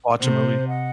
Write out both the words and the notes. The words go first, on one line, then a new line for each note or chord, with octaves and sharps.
Watch a movie.
C3 C5
D#5 F#5